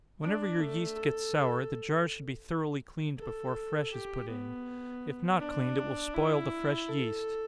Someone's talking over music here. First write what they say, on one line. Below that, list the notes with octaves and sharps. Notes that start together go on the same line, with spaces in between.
Whenever your yeast gets sour, the jar should be thoroughly cleaned before fresh is put in--if not cleaned, it will spoil the fresh yeast.
D4
A3
A4
A4
G4
B3
D4
E4
A4